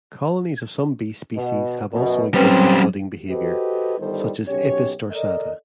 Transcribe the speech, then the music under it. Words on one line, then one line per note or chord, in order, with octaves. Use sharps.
Colonies of some bee species have also exhibited budding behavior, such as "Apis dorsata".
B2
F#2 B2
F#3 G3 C4 C#4 B4
F#4 G4 A4 B4 C5 D#5
G1 G2 D#3 G3 A4 C5
B1 B2 C#4 G4 C#5
A4 A#4 D5 D#5